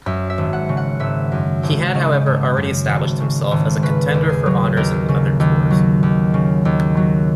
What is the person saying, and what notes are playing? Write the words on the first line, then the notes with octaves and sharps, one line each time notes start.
He had, however, already established himself as a contender for honours in other Tours.
F#2 E5
E5
G#1
F#5
C#3
F#5
G#1 E5
F#2
G#1
C#3 D#5
G#1
F#2
G#1
C#3
G#1
C#3 B4
D#2
G#4
F#3
D#2 A#4
C#3
D#2
F#3
D#2
C#3
D#2
F#3